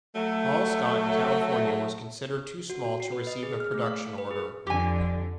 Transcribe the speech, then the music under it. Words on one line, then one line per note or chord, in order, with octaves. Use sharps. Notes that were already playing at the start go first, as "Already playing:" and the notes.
Hall-Scott in California was considered too small to receive a production order.
F#3 A3
F#4
F#4
C7
B4
D#5
G#4
F6
A3
F5
F5
B4
G#4
F2 D3 G4 G#5